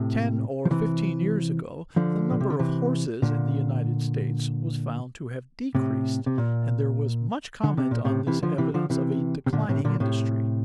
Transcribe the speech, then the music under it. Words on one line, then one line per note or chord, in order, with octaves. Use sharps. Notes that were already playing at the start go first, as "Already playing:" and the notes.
Ten or fifteen years ago the number of horses in the United States was found to have decreased, and there was much comment on this evidence of a declining industry.
Already playing: A2 C3
F3
C3 E3
D3 F3
A#2
C3
D3
C3 E3
A#2 D3
A2 C3
C3
A#2
D3
C3
A#2
A2 C3
C3 E3
D3 F3
C3 E3
D3 F3
C3 E3
C3
A#2 D3
A2 C3
A#2 D3
A2 C3